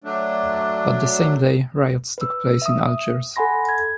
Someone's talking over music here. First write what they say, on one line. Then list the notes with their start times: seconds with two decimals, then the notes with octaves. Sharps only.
But the same day, riots took place in Algiers.
0.04 F#3 A3 D4
2.18 B4 E6
2.62 E5 D#6
3.36 A4 F#5 G#5 B5 C6 A#6
3.69 G#6